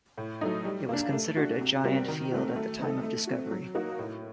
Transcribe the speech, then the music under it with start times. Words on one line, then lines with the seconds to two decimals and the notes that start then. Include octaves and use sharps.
It was considered a "giant" field at the time of discovery.
0.18 A2
0.41 F#3 A3 D#4
0.65 G3
0.89 A#3 D4
1.13 A3
1.36 D4 F#4
1.61 C3
1.84 G3 C4 F#4 A#4
2.08 D#3
2.32 A3 C4 F#4
2.56 A3
2.79 C4 D#4 A4
3.03 A3
3.27 C4 F#4
3.51 F#3
3.75 A#3 D#4 F#4 A#4
3.99 A2